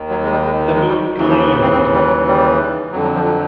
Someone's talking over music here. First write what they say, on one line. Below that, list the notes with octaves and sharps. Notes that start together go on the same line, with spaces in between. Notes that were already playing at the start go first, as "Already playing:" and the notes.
The moon gleamed.
Already playing: D#2 D#3
F#3
G#3
G3
G#3
G#3
G3
D#2 C#3 E3 F#3
F3
B3
C4
C4
G3
F#3
G3
F2 D3 F#3
F#3
F3
F#3